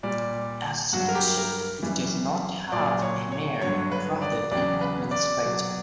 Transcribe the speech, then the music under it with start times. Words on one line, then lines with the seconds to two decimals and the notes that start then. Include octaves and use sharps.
As such, it does not have a mayor but rather an administrator.
0.03 A#2 G3 D5
0.93 G2 F#3 F#4
1.09 A#4
1.15 G4
1.37 A#4
1.82 F#2 E3 G3
2.72 A#2 F#3 D5
3.02 C#5
3.32 C#5
3.61 G2 D3 F#3 C#5
3.92 B4
4.22 D5
4.51 E2 C#3 F#3 D5
4.81 B4
5.11 D5
5.41 B2 F#3